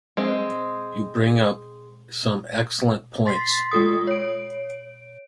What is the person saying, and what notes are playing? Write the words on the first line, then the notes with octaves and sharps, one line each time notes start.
You bring up some excellent points.
G#3 C4
C6 A6 B6 C7
G#3 F4 A4 D#6
C#5 D7